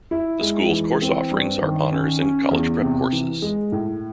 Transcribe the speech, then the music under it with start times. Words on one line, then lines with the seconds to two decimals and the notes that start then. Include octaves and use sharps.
The school's course offerings are honors and college-prep courses.
0.11 E4
0.41 G#3
0.71 E3
1.02 C4
1.31 G2
1.62 D#3
1.92 C#4
2.21 C#4
2.51 E2
2.81 C3
3.13 E3
3.42 G#3
3.72 A2